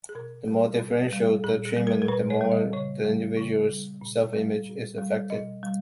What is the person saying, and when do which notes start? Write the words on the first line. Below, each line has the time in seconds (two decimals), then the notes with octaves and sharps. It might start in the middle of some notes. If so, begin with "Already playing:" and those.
The more differential the treatment, the more the individual's self-image is affected.
0.09 G#4
0.15 B2 A#4
0.48 G3
0.80 B2
1.12 G3
1.44 A#2 G#4
1.65 G#4
1.76 G3
1.87 A#4
2.02 A#4
2.08 A#2 B4
2.30 C#5
2.41 G3
2.52 D#5
2.73 C#3 C#5
3.05 G3
3.37 C#3
3.69 G3
4.01 A#2
4.33 G3
4.66 A#2
4.98 G3
5.30 B2 D#5
5.63 G3